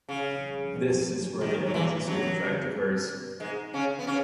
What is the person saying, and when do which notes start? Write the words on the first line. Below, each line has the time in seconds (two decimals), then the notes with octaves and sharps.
This is where the analgesic effect occurs.
0.09 C#3
1.41 D#2 D#3
1.66 F#3
1.74 E2 E3
2.07 F#2 F#3
3.40 G#2 G#3
3.74 C#3 C#4
3.99 B3
4.07 C#3 C#4